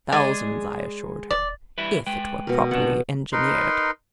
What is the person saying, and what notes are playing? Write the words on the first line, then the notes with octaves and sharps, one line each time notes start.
"Thousands," I assured her, "if it were properly engineered."
G#3 G#4 D5
D#1 D5
G3 E4 B4
G#3 B4 G5
B2 A#4
C3 D4 F#5
D#4 A#4 B4 C6